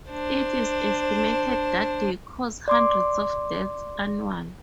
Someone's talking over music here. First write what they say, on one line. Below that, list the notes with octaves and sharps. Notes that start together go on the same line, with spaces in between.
It is estimated that they cause hundreds of deaths annually.
D4 C5
D5 C6 D6